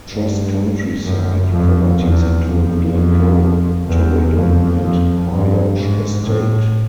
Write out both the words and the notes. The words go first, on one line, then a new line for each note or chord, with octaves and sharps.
Trust countryside properties include Glen Coe, Torridon and Mar Lodge Estate.
G2
F#2
F2
E2
F2
F2
E2
F2
F2
G2
G#2
A2